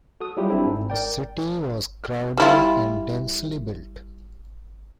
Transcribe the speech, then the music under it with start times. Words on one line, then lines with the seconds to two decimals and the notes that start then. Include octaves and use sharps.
The city was crowded and densely built.
0.20 F#4 A4 D#6
0.37 F#3 G3 E4 F4 G4 G#4
0.50 C4 D4 E4 A4
0.66 G#2
0.90 A#4 D5 G5
2.37 G3 E4 F4